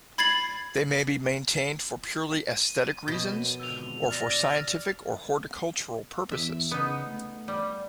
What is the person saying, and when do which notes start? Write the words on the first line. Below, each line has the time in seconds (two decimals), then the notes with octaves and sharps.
They may be maintained for purely aesthetic reasons or for scientific or horticultural purposes.
0.18 B5 G#6 A6 C7 F#7
2.54 D#7
3.08 B2 F3 A#3 C#4
3.60 G#1 F2 D3 E6 F7
4.09 D5 F6 A6 A#6
6.32 E2 E5
6.71 C#3 B3 D#4
7.07 A3
7.48 G3